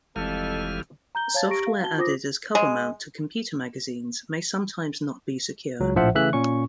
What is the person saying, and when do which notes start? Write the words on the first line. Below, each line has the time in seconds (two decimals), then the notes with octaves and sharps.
Software added as covermount to computer magazines may sometimes not be secure.
0.16 F#1 F2 E3 G3 G#3 A4 F5 F6
1.15 A#5 G6 G7
1.34 C#5 F5 A5 G#6 A6
1.49 G4 A#5 C#6 A#6 D7
1.67 F5
1.83 F#4 A5 G7
1.97 F4 C5 D6 D#6 A#6
2.55 G#3
5.80 C#2 F#3
5.95 A#1 A2 F3 C5 E5 F#5
6.15 C#3 E3 A3 E5 F#6
6.33 A#2 C#4 C#6